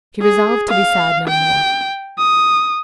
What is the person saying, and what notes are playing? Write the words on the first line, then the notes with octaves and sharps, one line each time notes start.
She resolved to be sad no more.
G#4
F5
G5
D#6